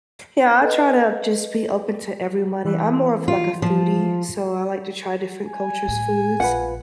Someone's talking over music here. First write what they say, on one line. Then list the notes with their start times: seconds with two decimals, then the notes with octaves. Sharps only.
Yeah, I try to just be open to everybody, I'm more of, like, a foodie, so I like to try different cultures' foods,
0.62 A4 B4 D#5
2.65 E3
3.28 F4
3.62 F3
5.47 G#5
5.88 A2
6.40 A#1 F4 B4 F#5